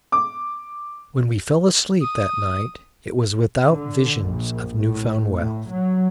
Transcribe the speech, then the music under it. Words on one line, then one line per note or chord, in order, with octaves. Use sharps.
When we fell asleep that night, it was without visions of new-found wealth.
D6
D#6
D3
A#1
A2
A2
F#3